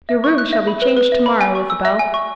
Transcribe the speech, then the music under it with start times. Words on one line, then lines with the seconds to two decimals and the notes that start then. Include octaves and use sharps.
"Your rooms shall be changed to-morrow, Isabel."
0.09 E5
0.24 C#6
0.38 F#6
0.53 E5
0.67 B5
0.82 B4
0.96 B4
1.12 E5
1.26 B5
1.41 G#5
1.55 C#6
1.70 E6
1.85 E5
1.99 G#5
2.14 C#6